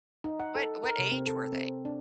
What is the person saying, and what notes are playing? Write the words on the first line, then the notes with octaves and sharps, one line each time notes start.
What what age were they?
D#4
F#5
A4
A#4
C3
C4
A4
C4
D4